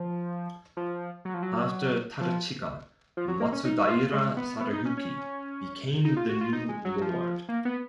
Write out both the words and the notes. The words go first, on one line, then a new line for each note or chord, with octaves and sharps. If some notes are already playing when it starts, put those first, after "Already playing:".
After Tadachika, Matsudaira Sadayuki became the new lord.
Already playing: F3
F3
F#3
F3
F#3
F3
F3
F#3
A#3
C#4
D#4
F4
G#3
B3
B3
D#4
C#4
C#4
D#4
F4
F#4
F4
D#4
G#3
F#3
F3
A#3
B3